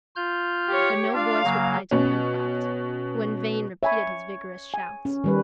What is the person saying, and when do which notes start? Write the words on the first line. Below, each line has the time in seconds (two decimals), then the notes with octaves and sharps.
But no voice replied to Pencroft, who in vain repeated his vigorous shouts.
0.16 F4 F6 G6
0.68 G4 C#5
1.13 D4 F4 F5
1.44 C#3 F#3 A#3
1.91 B2 C#4
3.83 C#5 E5 G#5 B5
4.74 G#5
5.05 C#4
5.24 D#3 G3 B4